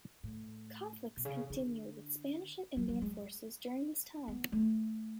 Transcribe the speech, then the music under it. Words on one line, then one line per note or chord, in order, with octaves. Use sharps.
Conflicts continued with Spanish and Indian forces during this time.
A2
B2
C#3
D3
F#3
F#3
G#3
B3
A3